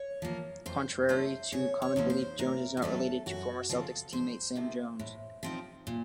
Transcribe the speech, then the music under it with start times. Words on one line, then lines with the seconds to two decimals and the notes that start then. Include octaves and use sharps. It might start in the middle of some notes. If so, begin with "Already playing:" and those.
Contrary to common belief, Jones is not related to former Celtics teammate Sam Jones.
Already playing: C#5
0.22 F3 A#3
0.66 F2 C5
1.09 D#3 A3 C#4 C5
1.52 C#3 C#5
1.82 C#5
1.96 F3 A#3 D#4
2.10 C5
2.39 A2 A#4
2.77 F#4
2.82 F#3 A3 C#4 A4
3.26 F#2 F#4
3.69 C#3 F3 C4 A4
4.13 F2 C5
4.56 C3 D#3 A3
4.99 A2
5.43 F3 C4 D#4
5.87 A#2